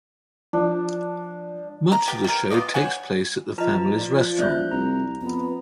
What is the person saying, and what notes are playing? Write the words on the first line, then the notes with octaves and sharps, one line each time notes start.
Much of the show takes place at the family's restaurant.
F3 D4
A#5
B3 G4
G3 A#4
B3 F4 D5 D#5
C5 C#5 F#5 G#5
F3 F4 B4 D#5 A5 A#5
F4 D5
E1 A3 C5 D5 E5 F#6 G6
C2 A#5
F2 B3